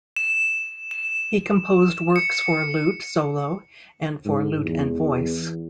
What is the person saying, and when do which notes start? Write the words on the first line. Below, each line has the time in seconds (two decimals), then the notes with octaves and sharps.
He composed works for lute solo and for lute and voice.
0.16 E7
0.91 E7
2.16 C#7
4.25 G#2
4.65 E2